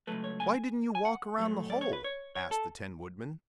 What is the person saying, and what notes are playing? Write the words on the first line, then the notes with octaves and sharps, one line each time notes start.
"Why didn't you walk around the hole?" asked the Tin Woodman.
C#2 B2 F#3 A3 B4
C#5
G#5
G#5
F#5
A2 F#3 A3
D5
C#5
B4
C#5
C#5
A4